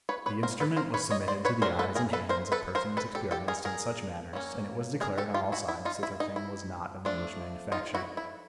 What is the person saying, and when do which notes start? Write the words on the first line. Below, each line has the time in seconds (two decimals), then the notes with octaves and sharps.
The instrument was submitted to the eyes and hands of persons experienced in such matters, and it was declared on all sides that the thing was not of English manufacture.
0.09 B4 C#5
0.26 B4 C#5
0.43 A#4 C5
0.60 A4 B4
0.76 A#4 C5
0.94 B4 C#5
1.10 C#5 D#5
1.28 C5 D5
1.45 B4 C#5
1.62 F#3 A3 D4 A#4 C5
1.79 A4 B4
1.95 G#4 A#4
2.13 A4 B4
2.29 A#4 C5
2.52 A4 B4
2.75 A#4 C5
2.97 A4 B4
3.15 G4 A4
3.31 G4 A4
3.48 G#4 A#4
3.65 G#4 A#4
4.33 F#3 A#3 C#4
5.01 G#4 A#4
5.18 G4 A4
5.34 F4 G4
5.52 E4 F#4
5.68 E4
5.85 D#4 F4
6.03 E4
6.20 D#4
6.36 E4
7.05 F3 A3 D4
7.72 D#4 F4
7.95 E4 F#4
8.17 E4